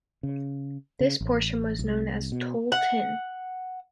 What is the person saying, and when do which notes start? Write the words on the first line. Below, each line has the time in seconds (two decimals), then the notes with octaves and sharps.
This portion was known as toll tin.
0.23 C#3
1.00 C#3
1.21 A1
1.79 C2
2.32 B2
2.72 F#5